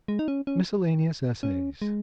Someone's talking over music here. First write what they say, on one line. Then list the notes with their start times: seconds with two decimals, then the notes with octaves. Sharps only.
Miscellaneous Essays.
0.08 G#3
0.19 D#4
0.28 C#4
0.47 C#4
1.43 C#4
1.82 G#3